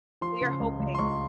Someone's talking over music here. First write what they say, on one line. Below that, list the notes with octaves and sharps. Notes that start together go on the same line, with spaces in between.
So you're hoping
F3 C6
C#3
C#2
C#2
C6
C#2 C#6